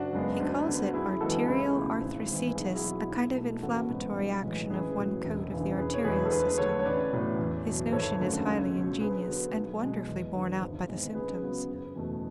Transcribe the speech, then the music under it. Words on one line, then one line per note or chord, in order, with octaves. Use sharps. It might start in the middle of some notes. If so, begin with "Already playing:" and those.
He calls it arterial arthriticis,--a kind of inflammatory action of one coat of the arterial system; his notion is highly ingenious, and wonderfully borne out by the symptoms.
Already playing: F#1 D4 F#4
F#2 C#3 G#3 B3
D2
D3 F#3 B3
F#4
F#2 E4 G#4
C#3 E3 G#3 B3 F#4 A4
C#2 E4 G#4
B2 A3
G#1
G#2 E3
B1 G#4
F#4
E4 G#4
B2 F#3
B1
B2 A3
A1 F#4 A4
G#2 F#3 B3
B1
A2 E3 G#3
A1 G#4 B4
A2 F#3
E1
D2 C#3 E3
E1 G#4 B4
C#5
E2 B2 G#3 B3 G#4 B4
A4
D2 G#4 B4
D3 A3 A4 C#5
C#5
A1 B4 D5
A2 F#3 B3
E2
B2 F#3
G#1 A4 C#5
F#2 D3 A3
C#2
B2 F#3
D2 G#4 B4
D3 F#3 B3
B1
B2 G#3
E2
D3 F#3
G#1
G#2 G#3 B3
C#2 G#4 B4
C#3 F#3 B3
F#1
E2 B2 A3